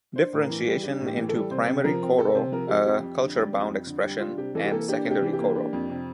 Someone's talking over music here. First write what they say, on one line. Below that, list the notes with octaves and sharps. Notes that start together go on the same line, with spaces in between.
Differentiation into primary koro, a culture-bound expression, and secondary koro.
D4 C5
A2
A#4
E3
G3
D4 G4
A2
G4
E3
A4
G3
C3 C5
C3
F3 A#4
C4
C3 A4
C3 C5
F3 A#4
C4 G4
F2 G4
F2
D3
G3
F2
F2
D3
G3
D4 F4
C3 G4
E3 A4
G4
A#3 A4
D4 G4
C3
G4
E3
G4
A#3
D4
F2
C3